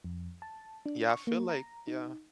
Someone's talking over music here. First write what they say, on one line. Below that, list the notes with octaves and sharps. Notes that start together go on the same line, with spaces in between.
Yeah, I feel like yeah.
F2
A5
D4
C#6
A#3
A#5
D#4